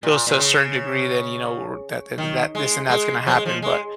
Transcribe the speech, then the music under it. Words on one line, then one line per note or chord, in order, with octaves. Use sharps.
goes to a certain degree, then you know, r that then that that this and that's gonna happen. But,
A#2
A#2
C#3
D#3
G#3
G#3
F3
G#3
F3
G#3